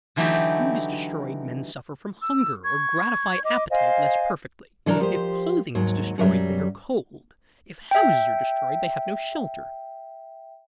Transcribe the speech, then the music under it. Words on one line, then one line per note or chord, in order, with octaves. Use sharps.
If food is destroyed, men suffer from hunger or gratify appetite less perfectly; if clothing is destroyed, they are cold; if houses are destroyed, they have no shelter.
D3 E3 F#3 A3 D#4 G4
E6
C#6 G#6
D#5 D6
C5 D#5 F5 G#5
D3 E3 F#3 D4 A#4
F3 G4 C5
D#2 G#2 F#3
F#2 F#3 G3 E5
E5 G5